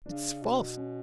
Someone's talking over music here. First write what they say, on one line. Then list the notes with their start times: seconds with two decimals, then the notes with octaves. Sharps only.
It's false!
0.06 C#3 D4
0.42 B2
0.77 C#4